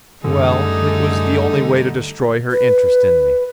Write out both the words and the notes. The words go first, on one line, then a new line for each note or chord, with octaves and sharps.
Well, it was the only way to destroy her interest in me.
F#2 D3 G3 A3 D#4 G#4
B4